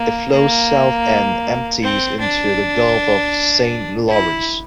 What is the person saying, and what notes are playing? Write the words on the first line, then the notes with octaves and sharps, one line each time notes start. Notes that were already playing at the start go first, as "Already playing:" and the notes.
It flows south and empties into the Gulf of Saint Lawrence.
Already playing: A#3
A#3
C4
D4
E4